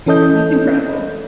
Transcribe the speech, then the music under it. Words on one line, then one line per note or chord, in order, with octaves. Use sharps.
That's incredible.
E3 C#4 A4 D#5 G6